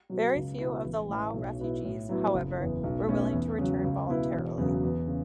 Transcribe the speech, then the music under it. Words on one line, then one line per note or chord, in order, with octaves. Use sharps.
Very few of the Lao refugees, however, were willing to return voluntarily.
B2 F#3
C#2
B2 B3 E4
A1
A2 E3
B1
B2 B3 E4
A2
F#3 B3 E4
F#1
E2 E3
B1
B2 A3 C#4
E2
C#3 F#3
C#2
B2 B3 E4
E1
E2 C#3 F#3
E2
C#3